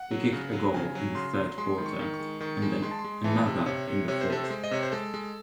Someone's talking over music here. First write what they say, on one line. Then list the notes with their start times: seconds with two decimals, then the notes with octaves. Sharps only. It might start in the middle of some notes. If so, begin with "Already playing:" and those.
He kicked a goal in the third quarter and then another in the fourth.
Already playing: F#5
0.11 F#3
0.32 C#3
0.53 F#3
0.74 C#3 G#5
0.95 F#3
1.15 C#3 C6
1.36 F#3
1.58 G#3 C6
1.78 D#3
1.86 C#6
1.99 D#3
2.14 C#6
2.20 G#3
2.40 D#3 C#6
2.62 G#3
2.82 G#3 C6
2.91 A5
2.99 C6
3.04 G#3
3.24 E3 A5
3.46 C3
3.66 C3 C#5
3.87 C3
4.08 C3 C#5
4.21 C5
4.30 C3 A4
4.44 C5
4.50 G#3
4.64 D#5
4.71 C3 C#5
4.83 C5
4.92 G#3 A4
5.14 G#3